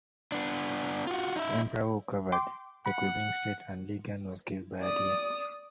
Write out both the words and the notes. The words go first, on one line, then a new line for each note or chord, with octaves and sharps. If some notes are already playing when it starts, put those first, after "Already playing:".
Emperor Wu covered for Qubing, stating that Li Gan was "killed by a deer".
B3 D4
F4 F#4
D#4 E5
G5 C6 D6
F#5 B5
D5 D#6